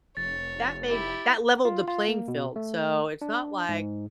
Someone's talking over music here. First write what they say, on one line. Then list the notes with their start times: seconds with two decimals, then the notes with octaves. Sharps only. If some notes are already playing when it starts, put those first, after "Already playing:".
that made that leveled the playing field, so, it's not like
0.17 F1 C#5 A6
0.87 E4 G4
1.65 F4
1.88 F4
2.08 A#3
2.28 B2
2.56 A3
3.22 D4
3.69 G#2